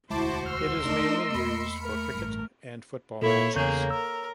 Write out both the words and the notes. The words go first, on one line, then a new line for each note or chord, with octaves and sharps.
It is mainly used for cricket and football matches.
E1 D2 G#3 E4 F#4 C5 A5 D6
C6 E6 F6
A3 D4 D#4 A#4 D#5 E7
E2 A#3 B5 C#7
A3 A#4
A1 G2
A#2 A#3 E4 A4 C#5
E2 C#3 A#3 G#4 C#5 C#6 G6
A#4 E6